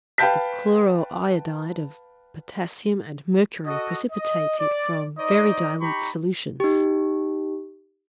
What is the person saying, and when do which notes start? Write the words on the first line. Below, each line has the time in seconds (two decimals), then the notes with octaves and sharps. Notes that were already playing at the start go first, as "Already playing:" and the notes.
The chloro-iodide of potassium and mercury precipitates it from very dilute solutions.
0.18 B4 F5 G5 A5 G6 B6
3.66 F#4 A4 D#5
4.11 D#5
4.58 D5
5.19 D#4 C5 D5 D#5
5.80 D#4 G4 A#5 B5 C#6
6.60 D#4 G4